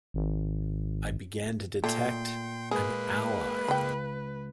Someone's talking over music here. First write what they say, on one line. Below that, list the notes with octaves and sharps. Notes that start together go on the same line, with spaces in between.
I began to detect an ally.
G#1
A#2 A3 G5 C6
G#3 A#3 G#4 B4
C#2 G5 B5